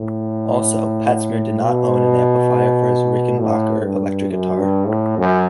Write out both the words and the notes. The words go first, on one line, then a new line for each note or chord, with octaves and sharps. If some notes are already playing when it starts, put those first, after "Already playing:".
Also, Pat Smear did not own an amplifier for his Rickenbacker electric guitar.
Already playing: A2
B2
A2
G2
F#2
G2
A2
F#2